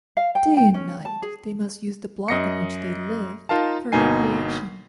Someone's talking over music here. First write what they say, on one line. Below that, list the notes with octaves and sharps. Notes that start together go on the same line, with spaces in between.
Day and night they must use the block on which they live for recreation.
F5
G5
G5
C#4
A5
G#4
F#2 D#5 A#6 C7 C#7
D#4 F4 A#4 F5 A5
G1 B2 A#3 D#4 G#5 C7